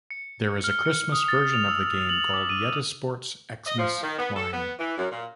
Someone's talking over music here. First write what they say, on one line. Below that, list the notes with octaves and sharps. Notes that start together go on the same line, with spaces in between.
There is a Christmas version of the game called Yetisports Xmas Climb.
C#7
F6
C#7
D#6
A6
F7
E6
F#7
D6
D#7
D#5
F3
D#3
B3
A4
B3
E3
F#2
A#2